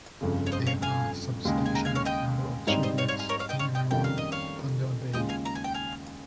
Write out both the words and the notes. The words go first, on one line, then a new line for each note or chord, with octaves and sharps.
There are a substantial number of shipwrecks in and around Thunder Bay.
G1 F2 C#3
C#5
C5 D#5
C#5 F5
F5 G#5
D#2 C#3 G#3
G#5
G5 A#5
F5 G#5
C#5 F5
D#5 G5
G#2 G3 C4 D#4 C#5 F5
C5 D#5
C#5 F5
C#5 F5
F5 G#5
A#4 C#5
C#5 F5
D#5 G5
C#5 F5
D#5 G5
F2 D#3 G3 A#3 C#4 G5
F5
D#5
C#5 F5
D#2 C#3 G#3 C#4 F4 D#5 G5
F5 G#5
A#5
G#5
G5
F5 G#5